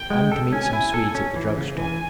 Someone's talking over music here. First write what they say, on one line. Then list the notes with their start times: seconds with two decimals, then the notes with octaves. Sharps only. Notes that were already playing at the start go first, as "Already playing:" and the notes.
I'm to meet some Swedes at the drug-store.
Already playing: G5
0.10 G#3
0.32 A4
0.52 C#4 G#5
0.73 E4
0.94 A4
1.15 C#4
1.36 E3
1.57 C#3
1.77 E3 G#5